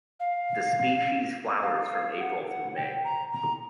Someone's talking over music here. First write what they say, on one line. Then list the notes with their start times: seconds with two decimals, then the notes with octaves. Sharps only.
The species flowers from April through May.
0.20 F5
1.62 F5
1.90 F5
2.19 F#5
2.48 F#5
2.76 G5
3.04 A#5
3.33 A#5